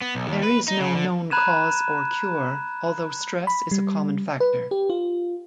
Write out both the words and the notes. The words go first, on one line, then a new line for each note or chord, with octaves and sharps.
There is no known cause or cure although stress is a common factor.
B3
B1
D#2
B4
D#4
C#3
D3
A#5 B5 F#6 G#6 D#7 E7
B5
G3
B4
G4
F4